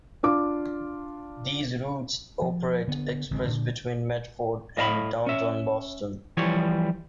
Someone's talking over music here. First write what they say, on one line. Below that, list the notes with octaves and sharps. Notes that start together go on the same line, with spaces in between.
These routes operate express between Medford and downtown Boston.
D4 F4 D6
F3
D3 B3
A1 D3 G#3 C4
A#2 D3
A2 D#5 F5 A5 B5
C#4 E5
E3 F3 G3 C#5